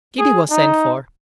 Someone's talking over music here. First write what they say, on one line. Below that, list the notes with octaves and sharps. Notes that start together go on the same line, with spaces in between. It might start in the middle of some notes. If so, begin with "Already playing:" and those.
Kitty was sent for.
G#4
D#4